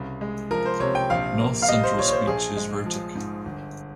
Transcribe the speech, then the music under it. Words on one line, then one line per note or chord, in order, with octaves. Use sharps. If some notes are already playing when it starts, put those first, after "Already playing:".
North Central speech is rhotic.
Already playing: C2 C#3
G#3
F3 A#4
C5
C3 C#5
G5
A#1 F5
A#3
F5
G3 D#5
C5
A#2 C#5
C#5
C5
A#1 G#4
G#3
F3
G#2
G1